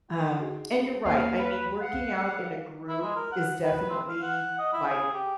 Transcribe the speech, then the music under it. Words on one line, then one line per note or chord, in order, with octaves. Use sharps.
Um, and you're right. I mean, working out in a group is definitely, like
D#4 F#4 G#4
D#2 A#3 F5
B4
F5 F#5
E4
G#3
A#4
F#5
B4
C4
F5
F#5
D#5
E4
G#4
G4